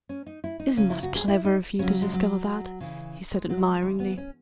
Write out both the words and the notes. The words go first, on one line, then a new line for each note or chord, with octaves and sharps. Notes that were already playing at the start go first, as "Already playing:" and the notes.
"Isn't that clever of you to discover that?" he said admiringly.
C#4
D#4
E4
D#4
C#3 F#3 C#4
E4
F#4
G#4
E4
D#4
C#3 F#3 C#4
G#3
F#3
C#3 E3
G#3
F#3
G#3
C#3 E3 G#3
B3
C#4